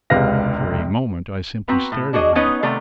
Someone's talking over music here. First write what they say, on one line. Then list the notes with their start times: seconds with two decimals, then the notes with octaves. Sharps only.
For a moment I simply stared at him.
0.10 E1 C#2 C3 B4 F5 A#6
1.68 C4 F#4 B4 A#5
1.92 A2
2.13 D4 F#4 G#4 C#5 D#5
2.35 B3 C#4 D#4 B4 C#5 D#5
2.63 C3 D#3 A3 B3 D5 A#5